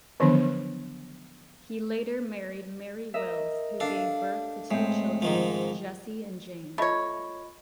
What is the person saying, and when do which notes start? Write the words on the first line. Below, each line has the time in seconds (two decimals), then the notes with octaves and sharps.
He later married Mary Wills who gave birth to two children: Jesse and Jane.
0.20 D3 D#3 F3 F#3 B3 D4
3.14 A#4 D#5 E5
3.80 D4 A4 F5
4.71 A2 G#3 C4
5.22 G#2 D#3 F3
6.78 A3 F4 C#5 D#5 B5